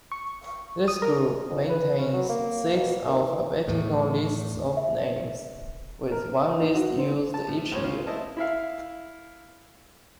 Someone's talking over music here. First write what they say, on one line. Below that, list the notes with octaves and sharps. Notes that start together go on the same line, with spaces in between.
This group maintains six alphabetical lists of names, with one list used each year.
C#6
D#6
A#4
F2
B4
C#4
F#3
A#3
B2
D#2
E3
E2 A2
E5
A#4
B3
D#4
F#4
C4
A5
A2
C#2 C5 C#5
C#4 F4
E4 C5 D#5 A5
E4 E5 F5